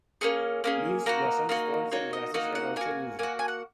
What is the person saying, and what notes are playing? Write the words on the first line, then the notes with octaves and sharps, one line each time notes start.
Leaves, blossoms, ferns, and grasses were also used.
A#3 C#4 G#4 C#6
A#3 C#4 G#4
A#3 D#4 F#4 A#5
A#3 D#4 F#4
A#3 D#4 F#4 C#5
D#5
A#3 D#4 F#4 D#5
F#5
A#3 F#4 G#5
A#3 F#4 G#5
G#5
F#5